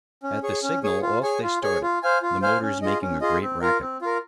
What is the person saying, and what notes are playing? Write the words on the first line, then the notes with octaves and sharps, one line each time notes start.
At the signal off they started, the motors making a great racket.
C#4
G#4 C#5
C#4
G#4 C#5
F4
G#4 C#5 G#5
F4
G#4 C#5 G#5
F4
C5 F5 G#5
F4
C5 F5 G#5
C#4
F4 G#4 D#5
C#4
F4 G#4 D#5
C4
F4 A#4
C4
F4 A#4